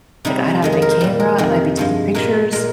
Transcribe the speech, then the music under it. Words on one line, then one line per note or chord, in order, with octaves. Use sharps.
Like, I'd have my camera, and I'd be taking pictures,
C3 G3 D#4
F2 D#3 G#3
G#4
A#4
C5
A#2 G3
A#4
F2 C3 D#3 A#4
G2 F3 G#3
A#2 G#3 A#4
A#2 G#3 A#4